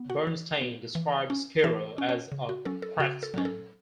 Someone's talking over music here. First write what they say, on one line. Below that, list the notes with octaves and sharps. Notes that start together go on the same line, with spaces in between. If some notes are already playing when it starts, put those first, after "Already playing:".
Bernstein described Skirrow as "a craftsman".
Already playing: B3
F#4 F#5
E3
B3
E3
C#4
E3 E4 E5
C#4
C#4 C#5
C#3
F#4
F#3 C#4 A4
A4
C#3 F#4
A4
F#3 C#4
A4